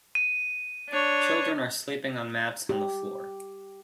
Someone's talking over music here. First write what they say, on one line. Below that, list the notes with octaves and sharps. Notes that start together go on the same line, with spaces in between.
Children are sleeping on mats on the floor.
D#7
D4 C#5
G4